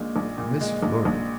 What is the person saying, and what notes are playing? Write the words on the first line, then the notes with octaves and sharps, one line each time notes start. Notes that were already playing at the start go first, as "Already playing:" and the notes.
Miss Flora!
Already playing: A#1 A#2 G#3
A#1
A#2
G#3
A#1
A#1